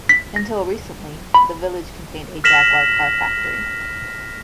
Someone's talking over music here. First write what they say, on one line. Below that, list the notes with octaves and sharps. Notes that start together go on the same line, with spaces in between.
Until recently the village contained a Jaguar car factory.
B6
A#6
B5
F6 A#6 B6 E7 F#7